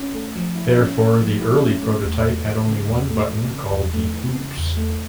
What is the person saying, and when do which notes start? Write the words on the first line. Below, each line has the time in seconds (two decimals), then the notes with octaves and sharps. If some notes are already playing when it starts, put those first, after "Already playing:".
Therefore, the early prototype had only one button, called the Oops!
Already playing: C#4
0.14 A3
0.36 F3
0.56 E4
0.77 C#4
0.98 A3
1.20 F3
1.40 E4
1.62 C#4
1.82 A3
2.04 E2
2.25 A3
2.45 E3
2.67 C#3
2.87 E2
3.09 A3
3.29 E3
3.51 C#3
3.71 E2
3.94 A3
4.13 E3
4.35 C#3
4.57 E2
4.77 A3